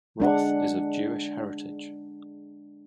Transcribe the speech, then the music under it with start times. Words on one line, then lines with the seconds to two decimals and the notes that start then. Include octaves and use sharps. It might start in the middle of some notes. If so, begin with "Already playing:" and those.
Roth is of Jewish heritage.
0.20 G#3 D4 F#5